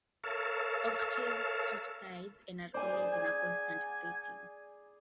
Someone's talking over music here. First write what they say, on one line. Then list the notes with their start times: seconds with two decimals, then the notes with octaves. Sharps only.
Octaves switch sides and are always in a constant spacing.
0.24 A4 A#4 C#5 E5 F5 A5
2.74 C5 D5 G#5
2.94 G#4
3.13 G#5